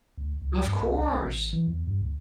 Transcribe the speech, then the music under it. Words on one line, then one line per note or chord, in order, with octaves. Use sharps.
Of course.
D2
C#2
G2
B1
C2
B1
A1
E3
E2
G2
D2